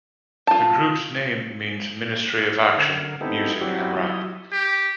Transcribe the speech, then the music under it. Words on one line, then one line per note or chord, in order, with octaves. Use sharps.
The group's name means 'ministry of action, music and rap'.
F4 A5
D3 A#4
B3 C4 D#4 E4 G4 A4
F#3 G3 C4 E4 F#4 G4
F#3 E4 F4 G4 D#5
G4